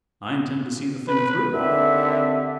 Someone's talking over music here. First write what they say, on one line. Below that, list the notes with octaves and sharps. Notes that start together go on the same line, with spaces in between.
I intend to see the thing through.
B4
D#2 D3 C4 E5